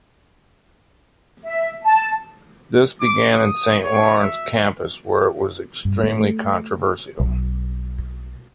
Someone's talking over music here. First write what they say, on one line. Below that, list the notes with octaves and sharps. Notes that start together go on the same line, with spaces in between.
This began at the Saint-Lawrence campus, where it was extremely controversial.
E5
A5
D6
D#6
C#5
E5
G2
A3
B1